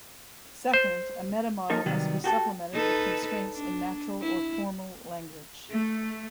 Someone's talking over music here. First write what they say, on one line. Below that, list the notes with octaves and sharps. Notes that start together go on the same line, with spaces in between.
Second, a meta model must be supplemented with constraints in natural or formal language.
C5
F3 A#3 D#4 A4 A#4
C3 D#3 F#3 G3 B3
F#4 G4 A4
D#4 A4 B4
D4
E4
A3